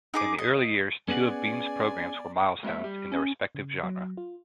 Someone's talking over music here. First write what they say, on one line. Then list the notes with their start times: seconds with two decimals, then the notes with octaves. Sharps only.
In the early years, two of Beam's programs were milestones in their respective genre.
0.14 D#4 G#4 D6
0.38 D#5
1.08 B3 C#4 G#4 D5 F#5 G#5
2.63 B1 G#3 A#3 E5
2.84 G3
3.12 C#4
3.55 C#3
3.83 F#3
4.17 F4